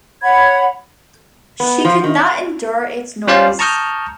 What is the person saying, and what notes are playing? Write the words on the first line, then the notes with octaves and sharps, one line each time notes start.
She could not endure its noise.
C#5 F#5 B5 G#6
B3
F3
D#3
G3 C#4 F4 C5 D5 F5
A5 A#5 C#6 D#6 F6 G6